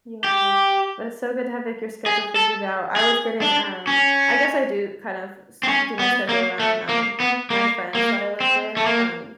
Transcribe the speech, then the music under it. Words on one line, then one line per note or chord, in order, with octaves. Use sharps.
Yeah. But it's so good to have, like, your schedule figured out. I was getting, um, I guess I do kind of s do my schedule around, um, my friends that I live with, um,
G4
G#4
A4
G#4
D4
C#4
C4
C#4
B3
A#3
A3
A#3
B3
A#3
A#3
C4
A3
A#3